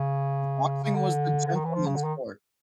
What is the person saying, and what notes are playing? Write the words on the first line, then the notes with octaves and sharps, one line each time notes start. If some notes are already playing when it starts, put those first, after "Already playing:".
boxing was the gentleman's sport.
Already playing: C#3
C#3
D3
D3
D#3
E3
F3
C#3
D3
D#3